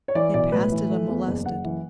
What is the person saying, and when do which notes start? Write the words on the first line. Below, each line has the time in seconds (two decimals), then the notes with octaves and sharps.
They passed it unmolested.
0.08 C#5
0.15 E3 D5
0.34 B1 D5
0.52 A2 B4
0.72 E3
0.90 A3
1.09 E2
1.27 F#1
1.46 F#1 F#5
1.64 E3